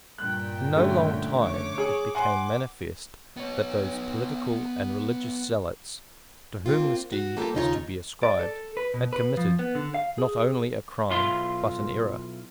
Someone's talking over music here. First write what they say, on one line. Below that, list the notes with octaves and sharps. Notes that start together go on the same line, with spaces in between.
In no long time it became manifest that those political and religious zealots, to whom this deed is to be ascribed, had committed, not only a crime, but an error.
G2 A#2 G5 F#6
D3 A3 C#4
C#5 D6
G#4
F#5 G#5 C6 D6
B3 C#5
A#3 C4 F4
F#4
G3 A#3 F4 G4 A4
D#2 C#3 D#4 F4 G4 C#5
D5
A4
B4
B2
B4
F3
B3
D3
F5
G#4
B1 E4 F4 C6